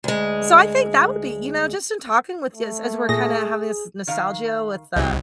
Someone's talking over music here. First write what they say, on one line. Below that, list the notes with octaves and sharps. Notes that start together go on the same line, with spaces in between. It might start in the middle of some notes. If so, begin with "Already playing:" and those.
so I think that would be you know, just in talking with you as as we're kinda having this nostalgia with, uh, the
D2 G#3
A3
A#2 G#4 A#6
D#3 F5 A#5
C2 F#3 G#4 D#5